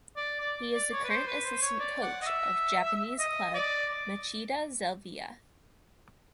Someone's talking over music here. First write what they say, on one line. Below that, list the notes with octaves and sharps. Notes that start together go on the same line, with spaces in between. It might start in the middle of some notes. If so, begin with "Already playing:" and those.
He is the current assistant coach of Japanese club Machida Zelvia.
D5
D5
D5
C#5
B4
C5
B4
C5
C#5
D5
F#5
D#5
E5
D#5
D5